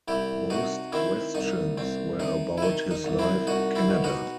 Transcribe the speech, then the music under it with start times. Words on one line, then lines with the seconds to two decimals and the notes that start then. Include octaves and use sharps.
Most questions were about his life in Canada.
0.08 C2 E4 G4
0.50 C3 D#4 F#4
0.92 D#3 C4 E4
1.35 C2 D#4
1.78 C2 C4
2.20 C3 D#4
2.58 E4
2.62 D#3 D#4
2.91 D#4
3.04 C2
3.19 C4 E4
3.47 C2 D#4 F#4
3.75 C4 E4
3.90 B2
4.04 D#4 F#4